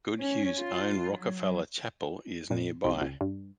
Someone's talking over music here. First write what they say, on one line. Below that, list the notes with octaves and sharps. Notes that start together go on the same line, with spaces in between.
Goodhue's own Rockefeller Chapel is nearby.
C#4
F4
F#3
A#2
C2
C#2
G2